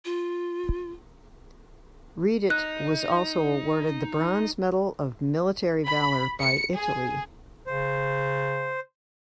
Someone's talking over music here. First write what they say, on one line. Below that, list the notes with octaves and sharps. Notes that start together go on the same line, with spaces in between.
Readitt was also awarded the Bronze Medal of Military Valor by Italy.
F4
D#4 F#6
B5
C#7
G#4
C#3 C5